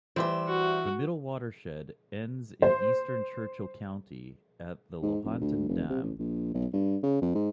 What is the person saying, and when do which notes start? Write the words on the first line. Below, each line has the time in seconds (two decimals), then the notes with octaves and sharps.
The middle watershed ends in eastern Churchill County at the Lahontan Dam.
0.16 E3 G3 C5 E5
0.48 F#4
2.62 C5
5.02 G#2
5.24 F1
5.41 D2
5.68 F1
5.90 C3
6.02 A1
6.19 A#1
6.54 B1
6.73 G2
7.03 C#3
7.22 F2
7.35 G#2